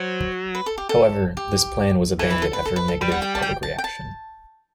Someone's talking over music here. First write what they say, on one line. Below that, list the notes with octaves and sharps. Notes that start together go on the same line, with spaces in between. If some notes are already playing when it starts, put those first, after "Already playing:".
However, this plan was abandoned after a negative public reaction.
Already playing: F#3 C5
B4
A4
G4
A4
G4
E3 A4
B4
A4
B4
A4
B4
A4
G3 B4
F#5
G5
A5
G5
A5
G5
A5